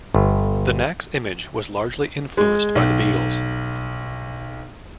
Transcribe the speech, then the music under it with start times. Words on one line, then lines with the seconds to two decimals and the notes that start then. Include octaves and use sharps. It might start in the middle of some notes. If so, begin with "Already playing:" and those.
The Knack's image was largely influenced by the Beatles.
0.14 G1
2.37 G#3
2.75 B1